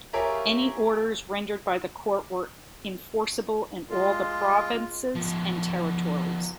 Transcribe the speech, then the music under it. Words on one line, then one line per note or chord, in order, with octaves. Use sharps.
Any orders rendered by the court were enforceable in all the provinces and territories.
F4 G4 G#4 A#4 C#5 E5
G#3 F4
F3 B3